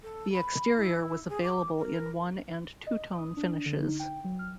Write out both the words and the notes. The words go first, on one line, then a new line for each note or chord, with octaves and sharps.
The exterior was available in one and two-tone finishes.
A4
B5
E4
G#4
D6
A#4
D#5
D#6
D4
D3
D#4
G5
F#3
F6